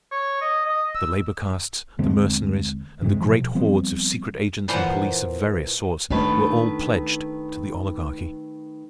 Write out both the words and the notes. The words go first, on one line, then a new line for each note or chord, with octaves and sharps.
The labor castes, the Mercenaries, and the great hordes of secret agents and police of various sorts were all pledged to the Oligarchy.
C#5
D#5
D#5
E6
D#2 D3 G#3 C4
G2 C3 G#3
B2 F3
F3 G3 B3 C4
A#2 E3 F3 F4 C5 F#5
D#3 A3 D4 B4